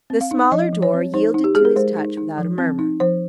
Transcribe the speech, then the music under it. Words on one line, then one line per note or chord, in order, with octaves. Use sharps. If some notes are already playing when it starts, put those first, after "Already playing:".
The smaller door yielded to his touch without a murmur.
C4
F5
D#4
F3 D#5
F3
C#5
C4
D#4 C5
D#4
G4
G#3 G#4
A#4
G#3 C5
D#4
D#4
F3
C4
D#4
F3 C5